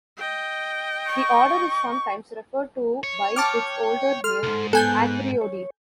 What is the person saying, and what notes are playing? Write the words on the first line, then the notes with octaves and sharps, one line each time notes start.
The order is sometimes referred to by its older name "Acreodi".
D#5 G5
C#6
C#5
G5 A5 D6 F6
A4 C6 F6
C2 G#2
B3 A4 G#5 F#6 G6
C#5